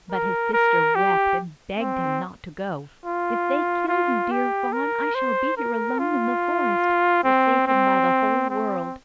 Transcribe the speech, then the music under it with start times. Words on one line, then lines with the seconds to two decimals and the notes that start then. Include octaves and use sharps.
But his sister wept, and begged him not to go: "If they kill you, dear fawn, I shall be here alone in the forest, forsaken by the whole world."
0.11 A#4
0.53 A#4
0.95 G4
1.78 C4
3.05 F4
3.88 F4
4.31 G4
4.73 A#4
5.15 C5
5.57 A#4
5.99 F4
7.24 C4
7.67 C4
8.50 C4